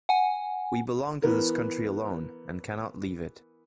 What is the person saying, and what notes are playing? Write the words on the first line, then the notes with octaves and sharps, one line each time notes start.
We belong to this country alone, and cannot leave it.
F#5 G#5
E3 B3 A#4